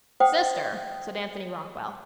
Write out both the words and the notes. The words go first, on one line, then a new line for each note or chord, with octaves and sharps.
"Sister," said Anthony Rockwall.
C5 F#5 G5 D#6